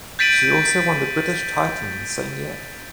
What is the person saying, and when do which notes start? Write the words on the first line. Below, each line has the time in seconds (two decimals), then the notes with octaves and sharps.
She also won the British title in the same year.
0.19 G6 A6 B6 D7 D#7 F#7